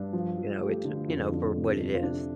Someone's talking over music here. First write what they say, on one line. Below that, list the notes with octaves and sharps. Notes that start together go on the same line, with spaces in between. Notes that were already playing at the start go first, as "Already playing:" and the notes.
You know, it you know, for what it is.
Already playing: G2 D4
F3
F3
A3 G4
D3
F2 F4
F2 D4
C3
F2
F4
C3 D4